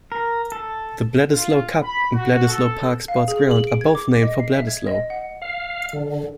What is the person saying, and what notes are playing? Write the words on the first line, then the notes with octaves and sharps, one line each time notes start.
The Bledisloe Cup and Bledisloe Park sports ground are both named for Bledisloe.
A#4
A4
F4
B5
F#4
A4
F5
G#4
F#7
D7
G#6
D6
D#5
C7
E5
G#6
D#5
F#5
F5
D3